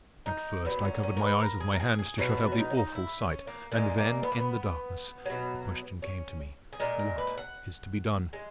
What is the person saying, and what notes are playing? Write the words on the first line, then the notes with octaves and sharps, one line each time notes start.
At first I covered my eyes with my hands to shut out the awful sight, and then, in the darkness, the question came to me: What is to be done?
D#4
A#2 F#3 B3
C#4
C#4
A#4
B4
A#4
G#4
A#4
G#4
G#4
B2 F#3 F#4
F#4
C#4
D#4
C#4
D#4
E4
C#4
A#3
A#2 G#3 A#3
A#3
B3
A#3
B3
B2 F#3
C#4
G#4
A#2 G#3 A#4
A#4
B4
F#5
G#3